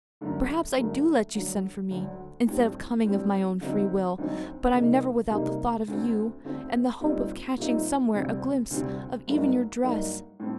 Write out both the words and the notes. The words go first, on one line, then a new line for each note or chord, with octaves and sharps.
Perhaps I do let you send for me, instead of coming of my own free will; but I'm never without the thought of you, and the hope of catching somewhere a glimpse of even your dress.
F#2 D3 A3
F#2 D3 A3
D2 D3 F#3
D2 D3 F#3
A2 G3 C4
A2 G3 C4
D2 D3 F#3 C4 D#4
D2 D3 F#3 C4 D#4
C3 G3 A#3 D#4
C3 G3 A#3 D#4
D2 D3 A3 C4
D2 D3 A3 C4
A#2 G3 C4 D#4
A#2 G3 C4 D#4
D2 C3 G3 C4
D2 C3 G3 C4
G2 F#3 A#3 D#4
G2 F#3 A#3 D#4
A2 A3 C4